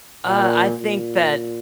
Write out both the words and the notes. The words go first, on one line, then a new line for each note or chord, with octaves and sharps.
Uh, I think that
A#2
A#2